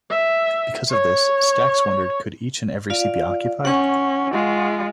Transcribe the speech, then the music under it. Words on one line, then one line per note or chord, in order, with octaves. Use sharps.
Because of this, Stax wondered: Could each and every seat be occupied?
E5
C#5
F4 D5 F5
C#4 F#5 C#6
G#3 F4